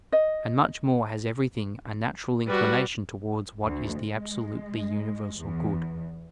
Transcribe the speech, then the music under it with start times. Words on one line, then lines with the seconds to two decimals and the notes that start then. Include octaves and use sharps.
And much more has everything a natural inclination towards what is the absolutely universal good.
0.12 D#5
2.47 G3 F#4 B4
3.65 D2
4.00 G#3
5.39 E2